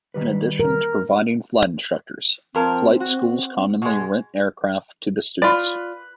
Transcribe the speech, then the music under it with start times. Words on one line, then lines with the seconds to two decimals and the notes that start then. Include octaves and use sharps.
In addition to providing flight instructors, flight schools commonly rent aircraft to the students.
0.14 D#3 G3 B4
0.60 A#4
2.55 F2 C4 A#4 A5
3.00 F#4
3.82 B2 G#3
5.42 F4 B4 D5